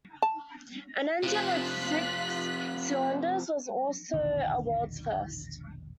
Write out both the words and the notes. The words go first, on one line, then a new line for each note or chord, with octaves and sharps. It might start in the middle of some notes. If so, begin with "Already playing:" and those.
An engine with six cylinders was also a world's first.
A5
C3 F3 F4 F#6 B6
E1 A#1 D3 D#3